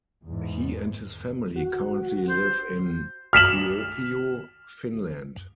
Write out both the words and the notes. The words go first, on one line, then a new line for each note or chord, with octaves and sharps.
He and his family currently live in Kuopio, Finland.
E2 G#2
F#4
C5
F6 B6 E7 F#7